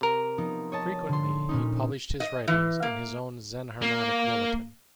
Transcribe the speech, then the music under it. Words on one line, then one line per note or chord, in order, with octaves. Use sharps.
Frequently he published his writings in his own Xenharmonic Bulletin.
C3 A#4
F3 B3 D#4
C#5 D#5 A5
D3 C6
A#2 C#4 D#4
D#5
E3
A#3
A#3